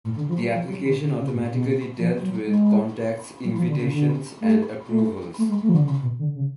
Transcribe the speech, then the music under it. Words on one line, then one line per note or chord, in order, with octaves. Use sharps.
The application automatically dealt with contacts invitations and approvals.
A2
D3
F3
F#3
F3
F#3
D3
D3
C#3
A2
B2
F3
F#3
G#3
F#3
F3
D3
C#3
D3
A3
A3
A3
G#3
A3
F3
D3
C#3
B2
D3
C#3